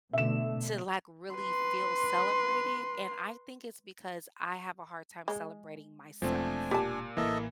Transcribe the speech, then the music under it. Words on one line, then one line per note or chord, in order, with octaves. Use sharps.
to, like, really feel celebrated? And I think it's because I have a hard time celebrating myself.
B2 D3 A3 E5 E7
B4 C6
G#3
E1 F3 A3 C4 D4 G#5
A#2 G4 A5
A1 E3 A#3 A4 D#5 E5